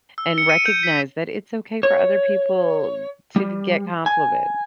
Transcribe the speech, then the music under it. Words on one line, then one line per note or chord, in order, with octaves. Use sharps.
and recognize that it's okay for other people to b get compliments.
E6
C#7
D#7
G6
B6
C#5
G3
G#5